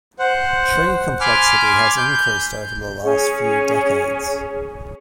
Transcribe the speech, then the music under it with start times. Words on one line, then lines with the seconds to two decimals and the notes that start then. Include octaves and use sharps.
Tree complexity has increased over the last few decades.
0.19 C5 F#5
1.21 G#5 B5 C6 D6 F6
1.97 G6
3.02 C#4 G#4 C#5